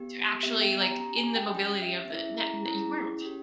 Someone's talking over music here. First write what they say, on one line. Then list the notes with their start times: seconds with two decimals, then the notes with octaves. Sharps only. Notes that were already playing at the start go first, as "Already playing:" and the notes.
To actually, like, in the mobility of the n that you weren't.
Already playing: B3 G4
0.43 B3 G4 E5
0.61 G5
0.80 A#5
0.99 C#4 G4 A#5
1.17 G#5
1.36 G5
1.54 C#4 G4 G5
1.82 E5
2.10 C#4 E4 G#4 E5
2.38 A#5
2.66 C#4 E4 G#4 A#5
3.22 C#4 G4